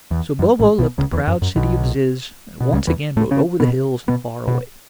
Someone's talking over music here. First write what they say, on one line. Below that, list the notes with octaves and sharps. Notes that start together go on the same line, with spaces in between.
So Bobo left the proud city of Zizz, and once again rode over the hills and far away.
E2
F#2
A1 A2
B1 B2
C#2 C#3
E2 E3
F#2
F#2
B1 B2
B2
C#2 C#3
E2 E3
A2 A3
C#3 C#4
B2 B3
B2 B3
B2 B3